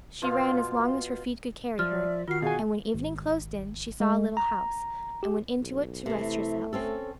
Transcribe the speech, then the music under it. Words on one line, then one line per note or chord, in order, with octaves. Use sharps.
She ran as long as her feet could carry her, and when evening closed in, she saw a little house, and went into it to rest herself.
B2 F4 F5 C6
F3 D5 E5 F6
D#3 F4 F#4 F6 C7
B2 F#4 G#4 F5 G#5
G#1
G#3
A#5
G4
B1
C3 E3 A3
C4 C#4 A4